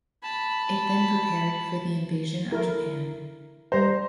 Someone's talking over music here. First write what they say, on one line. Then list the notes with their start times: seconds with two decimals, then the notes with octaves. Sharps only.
It then prepared for the invasion of Japan.
0.23 A5 B5
2.52 E4 A4 A#4
3.72 G3 C5 A#5